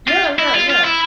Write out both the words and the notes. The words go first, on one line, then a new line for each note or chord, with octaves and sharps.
Yeah, yeah, yeah.
F4
E4
F4
F4
E4